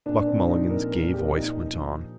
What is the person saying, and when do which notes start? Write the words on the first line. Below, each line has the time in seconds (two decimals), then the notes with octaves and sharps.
Buck Mulligan's gay voice went on.
0.06 A#2 D4
0.27 C4
0.38 F3
0.49 D#4
0.70 A#2 A#4
0.92 A#4
1.02 A#2
1.13 G4
1.35 F3 D#4
1.67 F3